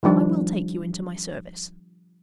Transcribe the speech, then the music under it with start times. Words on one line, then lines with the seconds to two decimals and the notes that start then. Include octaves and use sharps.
I will take you into my service.'
0.03 D#3 F3 G3 D4